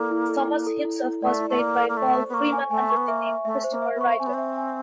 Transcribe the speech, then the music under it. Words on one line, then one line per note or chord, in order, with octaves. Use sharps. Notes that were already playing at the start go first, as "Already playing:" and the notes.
Thomas himself was played by Paul Freeman under the name "Christopher Ryder".
Already playing: A#3 E4 A4 D5
E4
A4
E4
A4
E4
E4
A3 D5
E4
A3
A#3 D5
A4
A#3
A3 C#6
C5
B3
A#3 C#6
G#5
A3 G#5
C#6
B3
A#3 E5
E5
A3 E5
C5
A#3
E5
B3
C#6
C4 G#5
B3
C4 E5
G#5